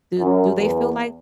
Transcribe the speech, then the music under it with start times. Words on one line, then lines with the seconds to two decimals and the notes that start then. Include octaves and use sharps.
do do they feel like
0.18 F#2
0.57 E2